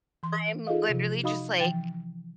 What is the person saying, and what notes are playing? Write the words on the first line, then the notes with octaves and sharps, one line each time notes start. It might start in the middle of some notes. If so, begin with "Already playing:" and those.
I'm literally just like
E3 C6
D#4 F4 G#4 A4 D#5 F5
C3 F3
D#4 F#4 D#5 F5 B5 D#6
E3 F3 G5 A6